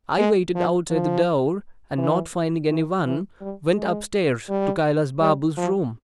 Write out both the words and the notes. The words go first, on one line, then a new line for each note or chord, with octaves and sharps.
I waited outside the door, and, not finding any one, went upstairs to Kailas Babu's room.
G#3
F3
F3
E3
E3
E3
G3
G#3
G3
G3
F3